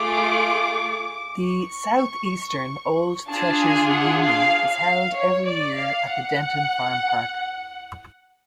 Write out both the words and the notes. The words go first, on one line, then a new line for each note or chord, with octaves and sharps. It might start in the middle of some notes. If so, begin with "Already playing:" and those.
The "Southeastern Old Threshers Reunion" is held every year at the Denton Farmpark.
Already playing: A3 F4 G#4 D6
C#6
D4 F4 G#4 A5
G#5
F#5
F5
F5
C#5
D5
F5
F#5